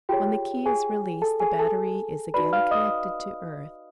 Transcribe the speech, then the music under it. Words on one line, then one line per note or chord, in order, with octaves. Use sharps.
When the key is released the battery is again connected to earth.
F4 G4 G#4 C#5 G5
G#4 G#5
A4 A5
G#4 G#5
A4 A5
D#4 F#4 B4 D5 B5
F5 F6
D#5 D#6